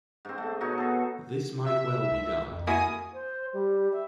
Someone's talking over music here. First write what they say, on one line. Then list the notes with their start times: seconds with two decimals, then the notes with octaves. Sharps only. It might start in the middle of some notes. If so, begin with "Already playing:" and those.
This might well be done.
0.25 G#2 C4
0.38 A3
0.61 B2 D#4 F#4 C#5
0.78 G#4 A4
1.66 C3 E5
2.11 C#2
2.51 F2
2.67 A#3 E4 F#4 G#5 D#6
3.14 C5
3.53 G3
3.92 E5